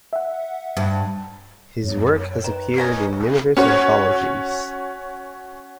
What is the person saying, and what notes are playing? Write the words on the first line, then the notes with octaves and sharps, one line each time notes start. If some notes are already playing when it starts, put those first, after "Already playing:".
His work has appeared in numerous anthologies.
E5 F#5
G2
F#2 B3 C#5
D#3 B4
A#3 C#4 D#5
C#4 F#4 C#5